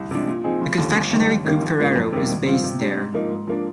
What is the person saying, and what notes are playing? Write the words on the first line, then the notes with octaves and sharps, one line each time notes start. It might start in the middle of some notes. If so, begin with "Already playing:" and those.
The confectionery group Ferrero is based there.
Already playing: C2
C3 F3 G#3 D4
A#2
F3 C4 D#4 G#4
F1
D#2 D3 F3
G1
G2 D#3 G#3
D#2
D#3 G3 A#3
A#1
G#2 F3 A#3 D4
F2
C3 D#3 G3 A#3
G#1
G2 F3 C4 F4
C3
G3 D4 G4
G#2
F3 A#3 D#4
G#2
F3 A#3 D4